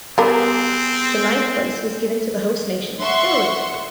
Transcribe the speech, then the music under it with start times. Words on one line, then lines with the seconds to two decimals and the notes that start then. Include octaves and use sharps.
The ninth place was given to the host nation, Italy.
0.18 G3 B3 C4 G#4 A#4
3.01 E5 F#5 C6 C#6